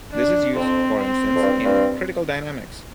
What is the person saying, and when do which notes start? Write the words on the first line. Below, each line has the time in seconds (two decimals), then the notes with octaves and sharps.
This is used, for instance, in critical dynamics.
0.12 D4
0.55 F2 C4
0.99 C4
1.35 F2
1.42 G2
1.65 G2